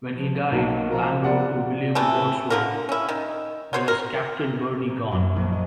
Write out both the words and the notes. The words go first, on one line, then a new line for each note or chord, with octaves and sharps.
When he died, Lamb wrote to William Wordsworth: There's Captain Burney gone!
F3
B1 A#3 F#4
F3 A#4
B3 D5 F#5
C3 E3 A3
D3 F3 A#4
C#4 E4
D#3
F#3 C5 C#5
A#4
A#3
F#2
A#1
D#5